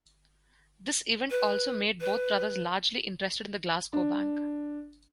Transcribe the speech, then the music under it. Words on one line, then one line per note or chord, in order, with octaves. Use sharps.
This event also made both brothers largely interested in the Glasgow Bank.
B4
B4
D4